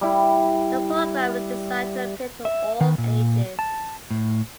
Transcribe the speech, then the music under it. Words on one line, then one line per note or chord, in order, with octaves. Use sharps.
The program is designed to appeal to all ages.
G3 E4
E5
D#3
A#2
A5
A2